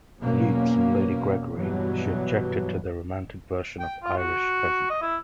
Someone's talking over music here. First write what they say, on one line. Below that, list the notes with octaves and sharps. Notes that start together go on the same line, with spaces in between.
Yeats and Lady Gregory, she objected to their romantic version of Irish peasantry.
E2 B2 F#3 A#3 C#4
G2 B2 E3 F#3 G3
G5
F4
F#4
D#5
E4